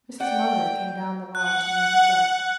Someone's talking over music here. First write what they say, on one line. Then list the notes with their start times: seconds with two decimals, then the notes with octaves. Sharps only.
Mrs. Munger came down the lawn to meet her guests.
0.20 D5 F#5 G5
1.35 F#5 F#6